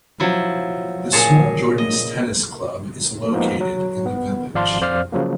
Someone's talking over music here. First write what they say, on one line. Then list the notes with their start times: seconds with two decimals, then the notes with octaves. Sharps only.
The small Jordans Tennis Club is located in the village.
0.20 F3 F#3 E4
1.12 A#2 G#4 C#5 A5 A#5
1.78 D#5
3.32 F3 G#3 A#3 B3 D#4
3.61 F#3
4.06 B3
4.54 G#1 F3 D5 F5 A5 C6
4.81 F2 C5 D5 F5 F6
5.13 C#3 F3 F#3 A#3